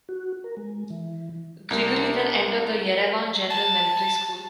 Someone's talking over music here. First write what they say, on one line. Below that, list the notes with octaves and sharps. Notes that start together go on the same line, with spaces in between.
Grigory then entered the Yerevan General Military School.
F#4
A#4
G#3
E3
C2 G4 A#4 A#5
A5